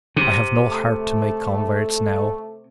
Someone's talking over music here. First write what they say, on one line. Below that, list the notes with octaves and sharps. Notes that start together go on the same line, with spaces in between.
I have no heart to make converts now....
C3
A3